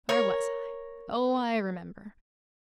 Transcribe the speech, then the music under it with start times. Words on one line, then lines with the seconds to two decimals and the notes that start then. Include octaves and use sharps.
Where was I? Oh, I remember!
0.09 A#4 C#5